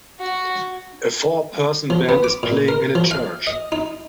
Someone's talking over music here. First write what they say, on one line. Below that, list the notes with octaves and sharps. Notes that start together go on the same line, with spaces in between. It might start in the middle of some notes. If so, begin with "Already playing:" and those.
A four person band is playing in a church.
F#4
F3
B3
D6
A#2
A#4
F3
F5
D#5
D#4